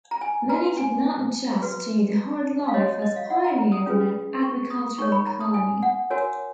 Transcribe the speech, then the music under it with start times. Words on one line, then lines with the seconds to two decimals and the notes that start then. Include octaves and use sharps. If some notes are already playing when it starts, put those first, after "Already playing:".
Many could not adjust to the hard life as pioneers in an agricultural colony.
0.11 A#5
0.21 G#5
0.49 F#4 B4 A#5
0.77 G#5
1.62 F#4 B4
2.68 F5
2.74 F#4 C#5 D#5
2.88 C#5
3.02 D#5
3.16 F5
3.30 F#5
3.44 A#5
3.58 A#5
3.72 D#6
3.86 C#4 F4 G#4 B4
4.42 C#6
4.70 D#6
4.98 D#4 A#4 C#5 C#6
5.12 B5
5.26 A#5
5.40 D#6
5.54 G#5
5.83 F#5
6.10 F#4 A#4 C#5 G#5